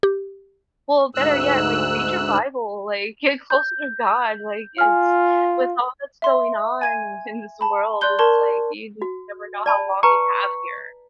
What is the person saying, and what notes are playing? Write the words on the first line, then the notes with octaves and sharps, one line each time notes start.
well, better yet, like read your Bible, like, get closer to God. Like it's with all that's going on in this world, it's like you never know how long you have here.
G4
D2 G#2 E6 F#6
G6
F4 G#5 F6
E5 C6
G#5 G#6 D#7
A5 B5
D5 C6 F#6 G6 G7
A#4 A5 C6 C#6 G#6 G7
F#4
D5 A5 B5
B4 A5 A#5 C#6